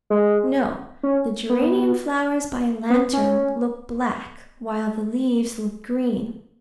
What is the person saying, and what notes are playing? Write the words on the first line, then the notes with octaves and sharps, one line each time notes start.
No; the geranium flowers by a lantern look black, while the leaves look green.
G#3
C#4
B3
B3
C#4